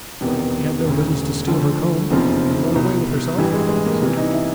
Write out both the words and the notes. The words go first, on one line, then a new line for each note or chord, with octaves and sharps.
"He had no business to steal her comb, and then run away with herself," said Turkey.
E1 E2 C3 D#3 B3
E1 D2 C#3
D2 D3 F3
F1 E2 C#3 F3 C4
C2 B2
A1 G2 E3 G3
G#3
G#3
A#3
C2 C3 E3 B3
D#4
E4